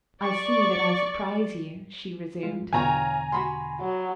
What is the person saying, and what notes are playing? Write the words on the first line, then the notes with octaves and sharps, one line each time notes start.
"I see that I surprise you," she resumed.
D5 C#6
G3 G#3 F4
E2 B2 D3 C#5 F5 G5 G#5 A#5
F#4 B5 C6
F#3